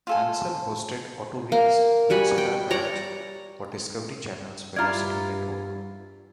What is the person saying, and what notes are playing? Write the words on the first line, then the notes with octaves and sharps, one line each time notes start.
Hansen hosted "Autoweek's Vinsetta Garage" for Discovery Channel's Velocity network.
F4 A4 G#5
A#3
G3 F#4 G#5 B5
G5
C#5 D5 A#5
G2 E4 F4 D5 A#5 F6 G#6